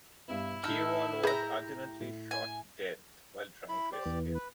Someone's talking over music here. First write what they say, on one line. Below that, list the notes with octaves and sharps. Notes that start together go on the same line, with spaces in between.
Gaywal was ultimately shot dead while trying to escape.
G2 B3 E4
A2 D#4 A4 E6 F6
G4 G#4 A#5 B5
A2
G#5
E4 B5
G4 C5 D5
E2 E3 B3
B4